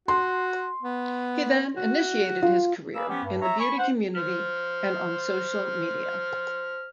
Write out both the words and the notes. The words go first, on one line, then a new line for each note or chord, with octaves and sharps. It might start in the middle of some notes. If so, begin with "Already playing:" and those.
He then initiated his career in the beauty community and on social media.
F#4 C6
B3
F#4
F4
A#3 G#4 B4 E6
F3 B3 C#4 G4
G2
C#5 E5 A#5
G#5 B5 C#6
C5 F#5
C5 F6